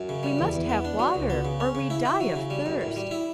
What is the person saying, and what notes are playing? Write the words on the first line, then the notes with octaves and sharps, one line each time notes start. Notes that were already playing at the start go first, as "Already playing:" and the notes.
We must have water, or we die of thirst.
Already playing: F#2
C#3
G3
E2
E2
B3
D4
F#3
C#2
B3
C#3
C#4
C#3
E4
E4
F#3
C#3
G3
F#2
A2
G3
E4